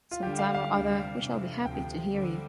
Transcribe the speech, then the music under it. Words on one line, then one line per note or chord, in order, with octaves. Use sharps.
Some time or other we shall be happy to hear you.
F4
D3 G3 D4 G4
F5
F5
D2 C3 G3 D4
F2 C3 E3
D2 C3 F3 G5
D3 G3 C4